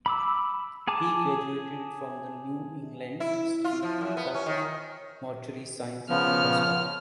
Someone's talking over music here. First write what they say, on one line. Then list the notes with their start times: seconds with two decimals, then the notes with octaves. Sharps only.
He graduated from the New England Institute of Mortuary Science in Boston.
0.06 B5 D6 E6
0.88 G#4 G#5 A5 D6
3.20 E4
3.65 F4
3.83 F3
4.01 F#2
4.17 B3
4.34 C#4
4.46 D#3
6.10 C#3 F3 B3 F6